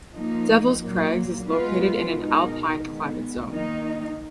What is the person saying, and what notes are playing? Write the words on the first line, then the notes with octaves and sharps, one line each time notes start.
Devils Crags is located in an alpine climate zone.
F3 A#3 D#4
A#2 F#3 A#3
G#3 B3 F4 B4
B2 G#3 D#4 A#4
D#3 G#3 B3
D#3 A#3 D#4